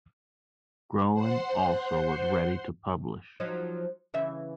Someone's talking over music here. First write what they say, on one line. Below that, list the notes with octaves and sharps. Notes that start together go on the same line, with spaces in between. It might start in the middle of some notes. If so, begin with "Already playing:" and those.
Groen also was ready to publish.
C5 F#5 C6
F3 F#3 D#4
C#3 E3 E5